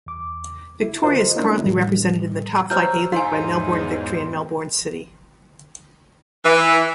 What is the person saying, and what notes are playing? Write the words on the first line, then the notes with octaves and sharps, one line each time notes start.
Victoria is currently represented in the top-flight A-League by Melbourne Victory and Melbourne City.
E2 D6
E4
F4 F#4 A#4 C5 D#5
A#3 C#4 D4 E4 F4 A#4
A2 E3 G3
F#3 C5 A#5 E6 F6 G6
E2 G#2 D#4 C5 F5 G#5
E3